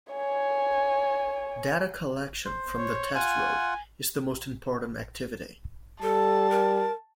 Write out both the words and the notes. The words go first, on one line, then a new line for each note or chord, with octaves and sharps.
Data collection from the test road is the most important activity.
C#5 G#5
C5
C#5
F4 F#5 G#5
G3 A4 A5
A#4